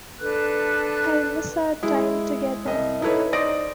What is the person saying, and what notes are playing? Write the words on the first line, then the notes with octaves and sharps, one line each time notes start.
I will miss our time together.
D4 A4 B4 F#6
G#3 E4 G#4
C2 D#5
D#4 E4 A4 B4 C#5
D#4 C5 D5 D#6 A#6 D7